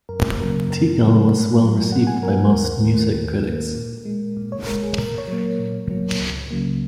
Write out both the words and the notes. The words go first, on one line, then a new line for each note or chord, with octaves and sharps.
"Tical" was well received by most music critics.
F#2 A#4
C#3 F#3 A#3 A#4
F#2 A#4
C#3 F#3 A#3
G#2
F#3 A#3
G#2 F#5
G#5
F#3 A#3 A#4
A#4
D#2 A#4
D#3 A#3
D#2
D#3 A#3
A#2
G#3
A#2
C#5
G#3 A#4
G#4
A#2 A#4
C#5
F#3
A#3
A#2
F#3 A#3
C#2
C#3 F#3 A#3